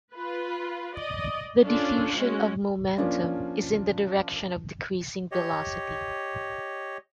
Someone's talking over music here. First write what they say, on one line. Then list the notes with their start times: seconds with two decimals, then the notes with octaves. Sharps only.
The diffusion of momentum is in the direction of decreasing velocity.
0.13 F4 B4
0.95 D5 D#5
1.62 C#4 D4 F4 A4
2.15 G#3 C#4 F#4
2.97 F3 A#3 C#4 D4 F4
5.31 G4 C#5 D#5